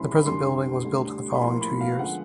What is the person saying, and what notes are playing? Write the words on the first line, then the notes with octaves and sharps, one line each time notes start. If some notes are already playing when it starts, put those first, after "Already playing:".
The present building was built in the following two years.
Already playing: C2 C3 E3 G#3 C#4 B5 C6
B5
F#2 D3 G3 C6
D2 D3 G3
B5
A2 F3 A#3 C6
B5
F5
D3 F3 G#3 B3 F#5